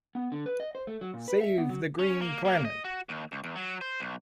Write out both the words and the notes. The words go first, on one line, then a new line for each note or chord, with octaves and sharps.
Save the Green Planet!
B3
D3
B4
D#5
C5
A3
F#3
A#2
B4
E5
B3
F#3
C#4
A#3
A#3
D#5
F#4
D#2
C#2
E2
F#3
C5
B1